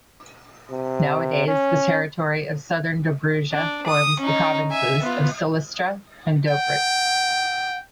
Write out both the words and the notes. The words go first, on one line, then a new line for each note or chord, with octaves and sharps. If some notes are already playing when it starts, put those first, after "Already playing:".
Nowadays, the territory of Southern Dobruja forms the provinces of Silistra and Dobrich.
C3
C#4
D4
D#6
C#4 D#4
E5 G#5
B3 F4
F#5 G5